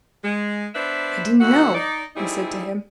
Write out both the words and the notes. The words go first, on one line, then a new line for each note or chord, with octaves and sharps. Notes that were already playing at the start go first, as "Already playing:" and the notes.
"I didn't know," I said to him.
G#3
B3 D4 B4 C5 E5
D#2 F#4 E5 F#5
D#4 D5
D3 G3 C4 D#4 E4 G#4